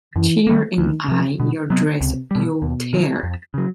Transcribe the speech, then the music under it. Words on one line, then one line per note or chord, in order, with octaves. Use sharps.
Tear in eye your dress you'll tear.
F#2 E3
D#3 G3 A#3
D2 D#3
C3 F3
B2 D3
C3 F#3 B3
C#2 C3
B2 G3
D#2 B2
D#3 F#3
F2
C#3 F#3